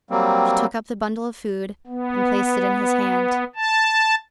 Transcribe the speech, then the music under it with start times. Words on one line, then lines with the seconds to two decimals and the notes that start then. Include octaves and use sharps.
She took up the bundle of food and placed it in his hand.
0.11 F#3 G3 A#3 C4
1.87 B3
3.56 A5